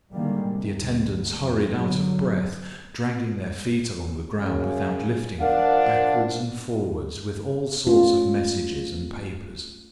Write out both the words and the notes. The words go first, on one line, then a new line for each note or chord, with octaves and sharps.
The attendants hurried, out of breath, dragging their feet along the ground without lifting them, backwards and forwards, with all sorts of messages and papers.
D3 D#3 G3 G#3 A#3
C3
D2
F2 F3
D3 F#3
F#2 C#3
F3 D4 A#4 F5 F#5
A3 C#4 F4